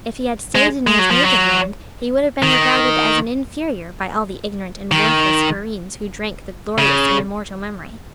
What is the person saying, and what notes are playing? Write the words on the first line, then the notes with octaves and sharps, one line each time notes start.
If he had staid in his native land he would have been regarded as an inferior by all the ignorant and worthless squireens who drank the glorious and immortal memory.
G#3
G#3
F#3
F3
F#3
D#3
D#3
C#3